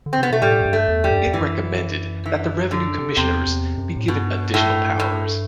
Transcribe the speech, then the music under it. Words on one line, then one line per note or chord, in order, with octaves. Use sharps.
It recommended that the Revenue Commissioners be given additional powers.
D3
C4
C3 B3
B2 A3
A2 G3
F#2
G2
A3
E2
G3
G2
F#2
E2
F#2 E3
E3
D3
E2 C3
E2
F#2
A2
G2 B2
A2
A2